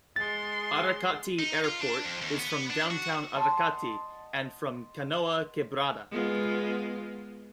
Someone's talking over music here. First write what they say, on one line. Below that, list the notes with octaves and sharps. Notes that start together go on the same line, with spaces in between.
Aracati Airport is from downtown Aracati and from Canoa Quebrada.
G#3 C6 A6
D#4
F4
D4
F2
D#2
B3
D4
F#4
D#5 F#5 A5 C6
G#3 B3 F4